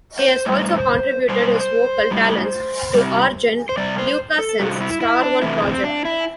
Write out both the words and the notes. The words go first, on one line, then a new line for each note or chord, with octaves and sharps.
He has also contributed his vocal talents to Arjen Lucassen's Star One project.
C5
A2 G3
B2 G3 C5
A2 G3
C3 G3
C5
C3 G3 D5
C5
A4
C3 G3 F#4
E4
E4
D4
C3 E3 A3 E4
C4
D4
E4